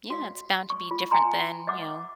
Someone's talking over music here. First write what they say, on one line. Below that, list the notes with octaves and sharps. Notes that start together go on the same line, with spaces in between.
Yeah, it's bound to be different than, you know,
F#4 F5
C#6
F4
G5 G#5 A#5 C6
E5 F#5 D6